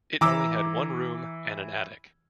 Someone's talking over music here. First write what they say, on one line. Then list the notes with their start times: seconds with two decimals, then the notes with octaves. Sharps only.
It only had one room and an attic.
0.21 E3 A#5 D6 E6